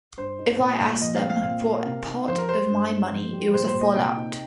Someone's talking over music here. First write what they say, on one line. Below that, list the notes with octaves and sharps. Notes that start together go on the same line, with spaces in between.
If I asked them for part of my money, it was a fallout.
G2 C5
D#4
A#2
A#2
F2 D#5
F5
C4
F5
A#2 F5
A#4
C3
D#4
F2 C5
A#4
G4 C5
G2
D#4
F2
G3
A#2 C5
C5
A#2
D#5
C3 G5
D#4